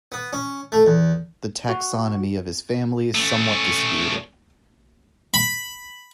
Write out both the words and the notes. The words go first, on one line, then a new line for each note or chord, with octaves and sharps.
The taxonomy of this family is somewhat disputed.
B3
C#4
A3
E2
F#4
A3 C#4
B5